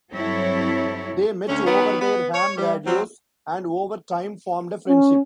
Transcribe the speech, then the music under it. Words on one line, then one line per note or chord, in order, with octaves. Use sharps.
They met over their ham radios, and over time formed a friendship.
G2 F#3 C4 E4 A4 C#5
D2 C#4
D#3 F#3 B3
B3
C#5
G3
F#3 G3 C4
C#4